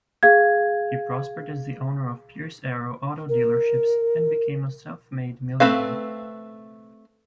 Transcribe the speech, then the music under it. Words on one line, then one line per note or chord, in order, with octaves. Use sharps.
He prospered as the owner of Pierce-Arrow auto dealerships and became a self-made millionaire.
G#4 F5 G#6
A#4
A3 C4 B4 F5